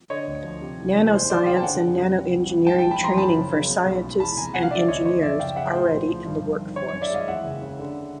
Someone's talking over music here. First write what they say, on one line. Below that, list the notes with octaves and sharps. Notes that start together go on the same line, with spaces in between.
Nanoscience and Nanoengineering training for scientists and engineers already in the workforce.
D3 C#5 D#5
D2
F3
C3
C2
E3
D#2 C5
E1 C5 D5
C#3 F5 G5
A5
D3 F#5 G#5
F2
G3
C3
C2
E3
G#2 G5 A5
A#1 G5 A5
A5 B5
F3 A#5 C6
F#2 A5 B5
F#1
C#3
B2
B1
G#3
E2 A5 B5
F1 G#5 A#5
B2 F#5 G#5
F5
D3 D5 E5
D2 C#5 D#5
F3 C#5 D#5
F#2 D5 E5
F#1 F5 G5
C#3 E5 F#5
A2 C5
A#1
F3
G2
G1
D#3
D#3 C#5
F#2 C#5
D5 E5
G#3 D#5 F5
E2 E5 F#5
F#1
C#3
D3